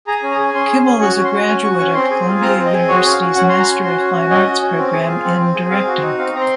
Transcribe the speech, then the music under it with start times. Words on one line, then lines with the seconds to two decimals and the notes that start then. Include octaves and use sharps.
Kimmel is a graduate of Columbia University's Master of Fine Arts program in Directing.
0.07 G#4 A#5
0.23 C#4
0.31 A#5
0.39 G#4
0.54 C#4 C6
0.70 G#4
0.85 C#4
1.00 F#4 C#6
1.16 C#4
1.25 C6
1.33 F#4
1.47 C#4 G#5
1.64 F#4 C#6
1.79 C#4 C#6
1.94 C4 C6
2.10 G#4
2.26 F4
2.41 C4 A#5
2.58 C4
2.66 D#5
2.73 G#4
2.88 F#4 C#5
3.05 C#4
3.12 F5
3.20 F#4
3.35 C#4 F#5
3.49 F#4 C6
3.59 A#5
3.68 C#4
3.83 F#4 C6
3.98 C#4
4.14 F#4
4.30 C#4 D#5
4.46 F#4
4.61 C#4
4.77 C4
4.93 G#4
5.08 F4
5.24 C4
5.40 C4
5.55 G#4
5.70 C4 F5
5.87 F#4
6.02 D#4
6.18 C4 F5
6.34 C4 A#5
6.41 C6